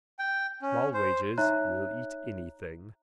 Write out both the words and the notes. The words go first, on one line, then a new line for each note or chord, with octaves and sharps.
Small wages. Will eat anything.
G5
C#4
C5
D#4 C#5 E5 A#5 F#6